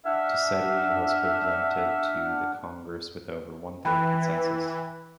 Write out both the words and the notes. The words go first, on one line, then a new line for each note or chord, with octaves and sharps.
Dossetti was presented to the Congress with over one third consensus.
D4 E5 F#5 F6
E3 G5 B5 F#6